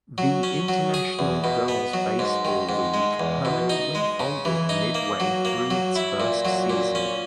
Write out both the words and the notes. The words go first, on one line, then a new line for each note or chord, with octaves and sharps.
The International Girls Baseball League permanently folded midway through its first season.
F#3
C#4
F#3
G#4
E2
B2
B3
F#3
G#2
D#3
G#2
G#3
E2
B2
D#4
G#3
C#3
E3
D#4
A#3
F#3
A#3
F#3
E4
A#2
F#3
A#2
C#4